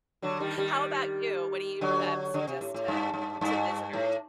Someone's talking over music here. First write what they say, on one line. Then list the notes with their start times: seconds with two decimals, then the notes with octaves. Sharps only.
How about you? What do you, um, suggest to to visitors?
0.22 D3 F#3
0.40 D#3 G3
0.58 D#3 G3
1.81 D3 F#3
2.34 D3
2.48 C3
2.61 A2
2.74 A2
2.88 G2
3.14 G2
3.41 G2
3.93 A2